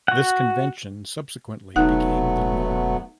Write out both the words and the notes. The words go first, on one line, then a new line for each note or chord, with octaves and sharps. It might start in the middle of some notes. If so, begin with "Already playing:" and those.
This convention subsequently became the norm.
F#4 F#5
E1 F#3 A3 B3 D#4 F#5 F#6